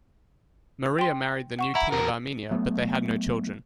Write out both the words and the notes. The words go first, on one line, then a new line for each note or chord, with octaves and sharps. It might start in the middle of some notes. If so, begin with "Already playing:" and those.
Maria married the new King of Armenia but they had no children.
G5 C6
F#5 C#6 E7
E4 F#5 A#5
E2 A#4
F#3 A3 B3